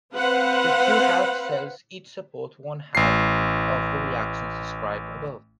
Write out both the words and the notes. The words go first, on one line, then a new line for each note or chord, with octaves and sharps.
The two half cells each support one half of the reactions described above.
C4 B4 C5 F5 F#5
A1 C7